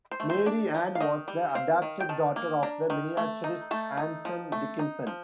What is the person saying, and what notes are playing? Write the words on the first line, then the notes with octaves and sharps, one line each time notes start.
Mary Ann was the adopted daughter of the miniaturist Anson Dickinson.
C5
A3
C5
D4 D5
F3
F5
D#3 D#5
G3
C4 F5
D#3
G5
D#3 A5
A#3
D4 A#5
D#3
A3
D#4
A3 A5
D#4
F3
A3
D#4
F3